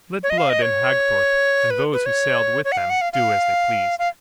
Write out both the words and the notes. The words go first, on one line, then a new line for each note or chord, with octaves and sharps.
Let Blood and Hagthorpe and those who sailed with them do as they pleased.
C#5
D#5
F5
D#5
C#5
B4
B4
C#5
C#5
F#5
F5
F#5
F5
F5
F5